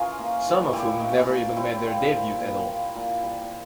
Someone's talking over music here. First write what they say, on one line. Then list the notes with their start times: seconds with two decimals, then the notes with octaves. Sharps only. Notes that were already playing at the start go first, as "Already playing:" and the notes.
Some of whom never even made their debut at all.
Already playing: E3 C#4 F4 G#4 A#4
0.19 A#3
0.46 E3
0.73 A#2 E4 G4
1.01 A#3
1.29 A#2
1.56 G3 C4 E4
1.85 A#2
2.12 A#3
2.39 A#2
2.68 A#3
2.95 A#2
3.23 G3